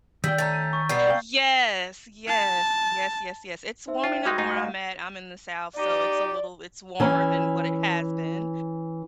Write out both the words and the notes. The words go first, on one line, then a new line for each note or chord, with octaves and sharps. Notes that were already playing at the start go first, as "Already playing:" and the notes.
Yes. Yes. Yes, yes, yes. It's warming up where I'm at. I'm in the South, so it's a little it's warmer than what it has been.
D#3 G3 G5 E6 G6 B6
A3 C#4 A#5 A6
D#7
C#6
B2 G3 B3 G6 C7
D5 F5 G5
A5
D#4 C5 E5
F4 G5
G3 G#3 D#4 F#4 C#6 G#6
G#2 A3 D#4 F4
D#5 F5 F#5
D#4 G4 D5
E3 C#4